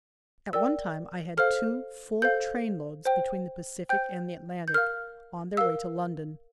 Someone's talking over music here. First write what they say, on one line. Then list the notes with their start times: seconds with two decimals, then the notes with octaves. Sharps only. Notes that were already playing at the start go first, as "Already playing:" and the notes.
At one time I had two full trainloads between the Pacific and the Atlantic, on their way to London.
0.53 A#4 D5 G5 E6
1.37 A4 C5 F5 F6
2.22 A4 C5 F5 G6
3.05 C5 G5
3.89 C5 G5 G6
4.68 G6
4.74 A#4 F5 F6
5.57 A#4 F5 E6